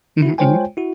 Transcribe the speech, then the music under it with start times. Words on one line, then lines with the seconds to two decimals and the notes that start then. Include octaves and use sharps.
Mhm, mhm.
0.22 E4 F#4
0.38 G#3 F4 C5 C#5 G5 G#5
0.77 E4 F#4